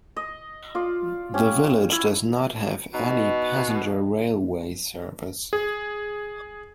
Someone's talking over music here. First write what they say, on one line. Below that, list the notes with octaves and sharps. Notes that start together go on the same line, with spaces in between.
The village does not have any passenger railway service.
D#5
F4 D5
C#4 G4
E4
B2 D#4 D#6
G#4